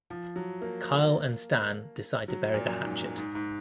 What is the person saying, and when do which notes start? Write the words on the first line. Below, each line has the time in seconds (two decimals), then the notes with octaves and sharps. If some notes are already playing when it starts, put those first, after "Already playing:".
Kyle and Stan decide to bury the hatchet.
0.10 F3
0.36 F#3
0.62 A#3
2.28 F#3
2.54 A#2
2.67 F#2
2.84 G#2
3.18 G#2
3.35 G#2